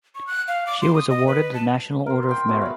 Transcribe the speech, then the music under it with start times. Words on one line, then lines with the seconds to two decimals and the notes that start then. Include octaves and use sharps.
She was awarded the National Order of Merit.
0.15 C#6
0.27 F#6
0.48 F5
0.67 D6
0.82 C6
0.95 D#6
1.10 D#5
1.27 B4
1.54 A5
2.06 A#4 C5
2.29 G5 C6
2.48 A3 B3 F#4 D#6
2.62 F5 B5